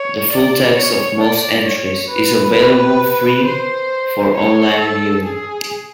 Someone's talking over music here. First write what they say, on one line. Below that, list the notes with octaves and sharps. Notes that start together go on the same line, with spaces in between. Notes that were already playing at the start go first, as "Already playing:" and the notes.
The full text of most entries is available free for on-line viewing.
Already playing: C#5
D5
C#5
D5
C#5
B4
C5
C#5
A4
G#4